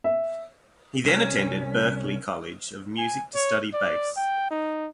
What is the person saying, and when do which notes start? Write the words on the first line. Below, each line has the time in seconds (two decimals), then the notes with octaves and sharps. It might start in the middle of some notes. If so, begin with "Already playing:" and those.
He then attended Berklee College of Music to study bass.
0.04 E5
1.05 C2 C#4
2.98 G#5
3.35 C#5
3.74 D5
4.17 G5
4.51 D#4